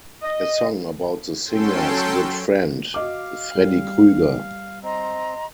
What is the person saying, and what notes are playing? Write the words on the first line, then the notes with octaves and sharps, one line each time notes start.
A song about the singers "good friend" Freddy Krueger.
D#5
F#3 C#4 A4 G5 C6
F#4 D#5 F5 D6
G3
C4 D#5 A#5 C6